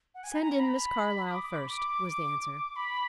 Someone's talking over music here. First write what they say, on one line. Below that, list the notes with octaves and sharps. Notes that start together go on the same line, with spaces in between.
"Send in Miss Carlyle first," was the answer.
F#5
G#5
B5
A#5
B5
D#6
D6
D6
B5
D6
B5